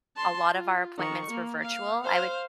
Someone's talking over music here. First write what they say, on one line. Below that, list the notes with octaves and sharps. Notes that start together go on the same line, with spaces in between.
a lot of our appointments were virtual, I would
A5 C6
F4
D#3 C#6
A#3
F5
C5 F5